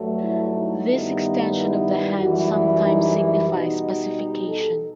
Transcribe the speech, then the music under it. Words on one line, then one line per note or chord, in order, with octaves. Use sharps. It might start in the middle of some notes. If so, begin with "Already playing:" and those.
This extension of the hand sometimes signifies pacification.
Already playing: G2 F#3 A3
E4
D#4
G2 D#3 G3 B3 D#4 E4
E4
F#2 E3 G3 F#4
E4
D#4
E4
B2 G3 D#4 F#4
G4
A4